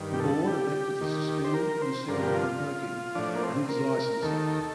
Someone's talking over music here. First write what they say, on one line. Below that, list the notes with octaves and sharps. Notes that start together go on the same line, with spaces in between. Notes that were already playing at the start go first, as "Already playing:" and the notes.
The board elected to suspend instead of revoking these licenses.
Already playing: G2 D#3
G4
A4
G4
D#2 D#3
C5
A#4
C5
G2 D3 F3 A#4
G4
F4
A2 F3 D4
A#3
C4
A#4
D#2 D#3 A4